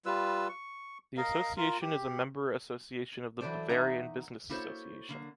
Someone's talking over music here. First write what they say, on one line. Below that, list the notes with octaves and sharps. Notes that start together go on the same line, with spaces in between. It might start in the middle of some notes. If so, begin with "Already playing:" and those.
The association is a member association of the Bavarian Business Association.
G3 F4 B4 E6
C#6
A#4 D#5 F5
F4 A#4
G4
E3 F#3 G#4 A4 C5 D5
E2 D#4 E5 F#5 A#5
A#3 E4 F#4 A4 C5 C#5
D3 A#3